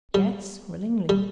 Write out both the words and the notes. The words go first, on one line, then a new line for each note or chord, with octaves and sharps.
"Yes, willingly."
G3
G3